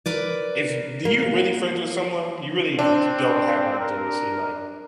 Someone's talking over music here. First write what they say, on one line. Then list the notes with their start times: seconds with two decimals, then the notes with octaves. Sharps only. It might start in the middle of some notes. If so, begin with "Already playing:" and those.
if do you're really friends with someone, you really d don't have any jealousy, like,
0.06 A#4 B4 D5
1.05 A#3
2.79 C4 D4
3.80 A#4